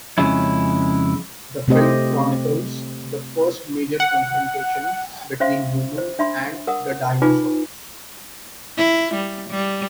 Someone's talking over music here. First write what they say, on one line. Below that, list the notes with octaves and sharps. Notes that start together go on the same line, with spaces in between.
The film chronicles the first major confrontation between humans and the dinosaurs.
F2 C#3 G#3 C#4 E4
C3 A3 C4 G4 C5 D#5
F#5
C#4 C5 E5 F5 C6
C5
D4 E5 B5 C6
A#4 F#5 D#6
D#4 F4 B4 G#5 B5 D6
E4
G3
G3